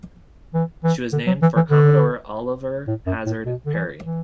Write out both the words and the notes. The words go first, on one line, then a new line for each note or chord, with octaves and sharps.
She was named for Commodore Oliver Hazard Perry.
E3
E3
D3
F#3
E3
E3
D3
A2
F#2
A2
B2
D3
E3
E3